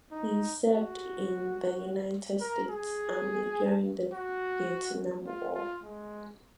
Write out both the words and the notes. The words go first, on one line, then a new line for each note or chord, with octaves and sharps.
He served in the United States Army during the Vietnam War.
D#4
F#4
A#4
G#4
F#4
F4
F4
G#3